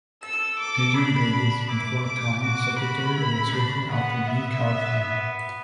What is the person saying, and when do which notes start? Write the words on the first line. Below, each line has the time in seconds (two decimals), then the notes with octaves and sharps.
Adrian Davies was for a time secretary of the Circle after Bee Carthew.
0.23 A4 E6
0.59 D6
0.96 D4 B5
1.69 E4 D6
2.06 D6
2.43 F#4 D6
2.80 F#4 B5
3.17 E4
3.53 D4
3.90 B3 F#5
4.26 B3 E5
4.63 B3
5.00 B3